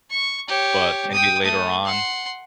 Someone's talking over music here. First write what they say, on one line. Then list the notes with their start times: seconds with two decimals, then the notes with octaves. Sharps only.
but maybe later on,
0.10 C#6
0.48 G4 C#5
1.12 G5 D#6
1.43 A3 D#6
1.85 F#5 C6